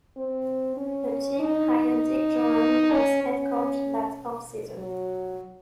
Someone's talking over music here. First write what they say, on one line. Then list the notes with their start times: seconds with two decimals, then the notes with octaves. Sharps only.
The team hired Dick Jauron as head coach that off-season.
0.17 C4
0.77 C#4
1.39 D#4
1.71 D#4
2.93 C#4
3.24 C#4
4.78 F#3